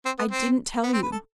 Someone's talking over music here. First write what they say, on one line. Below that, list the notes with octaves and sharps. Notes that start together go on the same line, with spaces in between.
I didn't tell you.
C4
B3
C4
B3
C4
B4
A4